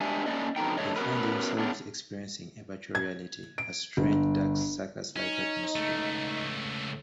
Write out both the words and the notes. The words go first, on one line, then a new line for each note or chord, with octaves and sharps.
They find themselves experiencing a virtual reality, a strange, dark circus-like atmosphere.
G#3 D4 G4 D5 E5 G#5
A3 A#3 C#4 D5 D#5
F2 B2 D3 B3 D#4 G5
F#2 D3 G3 A3 C#5 D#5
B3 C#4 E4 F#4 A#4 B4
D3 A3 B3 C#4 D4
G#6
D7
G1
C#4 D#4
C#2 A3